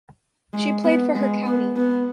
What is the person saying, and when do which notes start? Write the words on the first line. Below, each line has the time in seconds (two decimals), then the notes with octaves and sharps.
She played for her county.
0.54 G#3
0.84 B3
1.15 G#3
1.46 B3
1.77 B3